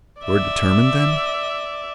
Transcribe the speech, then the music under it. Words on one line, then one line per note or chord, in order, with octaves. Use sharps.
"You are determined then?"
D5 E5